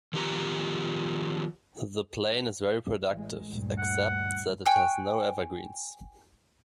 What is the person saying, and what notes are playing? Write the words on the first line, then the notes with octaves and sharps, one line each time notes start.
The plain is very productive, except that it has no evergreens.
D#3 F3 B3 G4 A#5
A1 G#3
D2 G2 A#2
F#5
G5 G#5 C#6 F#6